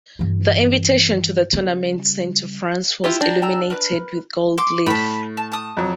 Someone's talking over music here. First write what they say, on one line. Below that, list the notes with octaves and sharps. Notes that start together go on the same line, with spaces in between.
The invitation to the tournament sent to France was illuminated with gold leaf.
G2 E3
C#3 G3
E4 F4 G4 C5 B5
D4 G4 A5 A#5
G5 A#5 E6
A#4 B4 F#6
C6 D6
A2 A5 B5
A5
A5 D#6
F2 F#3